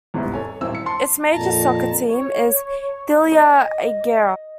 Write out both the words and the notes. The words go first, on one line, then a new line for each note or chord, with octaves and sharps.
Its major soccer team is Thyella Aigeira.
E2 G#2 C3 G3 E4
A4 C#5 G#5
D#1 G#1 E3 C4 E6
C#7
A5 C6
F2 A#2 A5 A#5
C#5
D#5